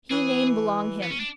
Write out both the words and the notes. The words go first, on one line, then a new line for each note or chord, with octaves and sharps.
He name belong him.
E3 G#4
B3
C#4
D4